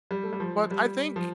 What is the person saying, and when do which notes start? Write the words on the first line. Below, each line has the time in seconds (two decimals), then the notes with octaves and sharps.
But I think
0.11 G3
0.23 A3
0.33 G3
0.40 F3
0.71 G3
1.16 F3